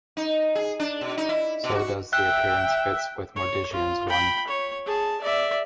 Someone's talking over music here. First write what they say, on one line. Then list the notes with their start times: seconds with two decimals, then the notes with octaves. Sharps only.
So does the appearance fits with Mordiggian's one.
0.17 D#4
0.55 G#4
0.79 D4
1.01 B2
1.17 D#4
1.29 E4
1.64 B2
1.75 F#4
2.13 E5 G5 F#6
3.36 C#5
3.73 F4
4.09 G5 B5
4.47 C#5
4.86 G#4 A5
5.21 D5 E5